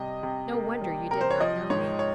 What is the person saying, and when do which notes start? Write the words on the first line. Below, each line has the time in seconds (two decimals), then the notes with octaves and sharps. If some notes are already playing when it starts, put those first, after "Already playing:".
No wonder you did not know me.
Already playing: C3 G3 D#5
0.23 C3
0.53 A#3
0.82 G3
1.11 C3 A#4
1.21 C5
1.31 C#5
1.40 F3 D#5
1.70 G#2 C#5
1.99 C#5